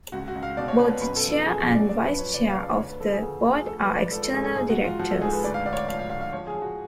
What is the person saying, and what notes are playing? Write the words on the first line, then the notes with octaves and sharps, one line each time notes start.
Both the Chair and Vice-Chair of the Board are external directors.
C#2 F#4
F#4
C#2
F5
B2 D5
C#5
B2 B4
B4
F#2 B4
A4
F3
A4
F3 G#4
F#4
F#2
D5
F3 D5
B4
F3
C#5
C#3 D5
F5
F3
D5
D2 C#5
B4
F3 A4
G#4
D2
D2
G#4
F3 A4
B4
G#2
D5
F3 A4
A4
G#2 G#4
A4
G#2 G#4
F#4
G#2
F4
F3 F#4
A4
G#2 G#4
B4
D2 D5
F5
D2 D5
C#5
D5
F3 F5
F5
D2 F5
F5
F3 C#5
G#4
F3
F#4